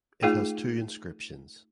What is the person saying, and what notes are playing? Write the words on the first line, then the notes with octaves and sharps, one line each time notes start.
It has two inscriptions.
A3 D#4 F4 G#4 G5